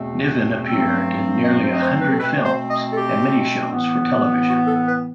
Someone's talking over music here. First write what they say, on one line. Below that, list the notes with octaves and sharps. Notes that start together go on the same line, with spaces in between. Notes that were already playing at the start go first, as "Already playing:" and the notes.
Niven appeared in nearly a hundred films, and many shows for television.
Already playing: E2 B2 A3 C4
G2 F#3 A3 C4
D#5
C5
D#5
C5
B4
A4
B2 A3 C4 B4
C5
D#5
A4
G4
A2 E3 B3
F#4
A4
B4